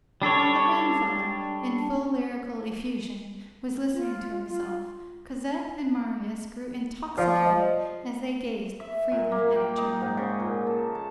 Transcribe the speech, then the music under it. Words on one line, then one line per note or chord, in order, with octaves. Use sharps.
While the grandfather, in full lyrical effusion, was listening to himself, Cosette and Marius grew intoxicated as they gazed freely at each other.
G3 D4 A4 C#5
F4
F4
F3 C5 D5 F5
D#5
E5
A#2
A#3
G5
D#4
G#2
C#3
A#2
A4
A5